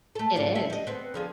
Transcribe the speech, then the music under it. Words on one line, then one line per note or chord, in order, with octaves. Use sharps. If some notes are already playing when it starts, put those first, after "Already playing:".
It is.
A3 A4
G#2 D5 F5
E5
G3 D#5
B3 C4
D3 F3 G#4